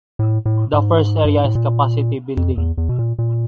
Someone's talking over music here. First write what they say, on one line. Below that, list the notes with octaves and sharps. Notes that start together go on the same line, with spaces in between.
The first area is capacity building.
A2
A2
G#2
G2
G#2
A2
A#2
F2
E2
E2
B2
A#2
A#2